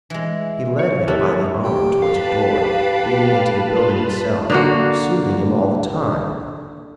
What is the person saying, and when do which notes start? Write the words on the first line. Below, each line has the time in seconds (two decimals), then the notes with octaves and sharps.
He led him by the arm towards a door leading into the building itself, soothing him all the time.
0.10 E3 G#3
0.79 C#5
1.08 E4 G4 A4 A#4 C#5 F#6
1.65 G4
2.02 B4 F5 A5 B5
3.76 F4
4.50 D3 A#3 F#4